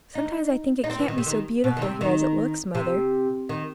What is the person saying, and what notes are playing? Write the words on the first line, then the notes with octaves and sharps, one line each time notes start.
Sometimes I think it can't be so beautiful here as it looks, mother.
D#4
D#4
C4
E3
D#3
C3
D#3
B2
D#3
C3
D#3
C3
D#3